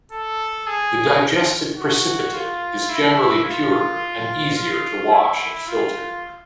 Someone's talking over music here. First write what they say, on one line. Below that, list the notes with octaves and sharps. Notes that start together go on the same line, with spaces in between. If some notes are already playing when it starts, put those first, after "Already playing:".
The digested precipitate is generally purer, and easier to wash and filter.
A4
G#4
F#4
F4
E4
F4
F4
E4
F4